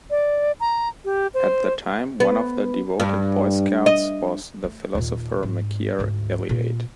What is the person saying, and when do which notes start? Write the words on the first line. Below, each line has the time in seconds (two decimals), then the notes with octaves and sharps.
At the time, one of the devoted Boy Scouts was the philosopher Mircea Eliade.
0.10 D5
0.60 A#5
1.05 G4
1.34 C5
2.20 B3
3.00 G2
3.86 D#5
4.64 A3
4.95 D#2 A#2
5.43 G#2
5.99 D2 G#2
6.49 A#2